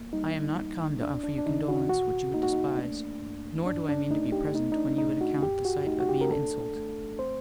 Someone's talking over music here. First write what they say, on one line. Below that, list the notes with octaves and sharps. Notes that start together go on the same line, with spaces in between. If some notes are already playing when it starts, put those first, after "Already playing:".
I am not come to offer you condolence, which you would despise; nor do I mean to be present when you would account the sight of me an insult.
Already playing: A#3
G3 D#4
D2
D#2 D4
D4
D4
D#3 D#4
F#4
A#2 F#4
A#3 D#4
F#4
D#4
A3 D4
F#2
G2 D4
D4
A3 D#4
G4
A3 D#4
D#4
D4
A#2 D#4
F#4
F#2 G4
F#4
A3 D#4
F#4
G4
A#4
D4 A4
A3
C4 C5